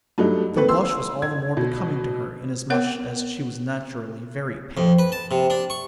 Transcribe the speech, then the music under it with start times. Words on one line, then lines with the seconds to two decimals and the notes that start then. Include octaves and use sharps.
The blush was all the more becoming to her inasmuch as she was naturally very pale.
0.18 G2 F#3 A3 D#4
0.56 A#3 C4 A4 B4
0.68 C6 E6
1.22 G#6
1.57 B2
2.70 B3 A#4 C#5 F#5
4.77 F2
4.99 B4
5.12 A5
5.31 C3
5.50 D4
5.70 C#6